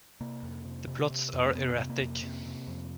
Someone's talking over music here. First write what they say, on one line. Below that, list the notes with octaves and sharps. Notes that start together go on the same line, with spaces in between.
The plots are erratic.
C3 A#3
F2
C3
C3
C3
F2
A#3
C3 B3
C3
A#3
F2
C3
C3
F2